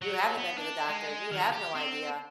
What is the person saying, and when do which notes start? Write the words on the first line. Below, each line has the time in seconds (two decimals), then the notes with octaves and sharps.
You haven't been to the doctor, you have no idea,
0.02 F#3
0.37 B3
0.58 D4
0.88 G#3
1.32 D#3
1.53 G4
1.75 C4